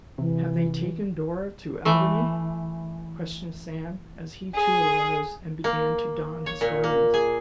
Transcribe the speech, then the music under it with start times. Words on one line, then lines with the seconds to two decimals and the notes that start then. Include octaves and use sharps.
"Have they taken Dora to Albany?" questioned Sam, as he too arose and began to don his garments.
0.18 C3 E3
1.85 E3 A3
4.54 G#4
5.64 A#3
6.46 C#5
6.61 A#2
6.84 A#3
7.14 G#4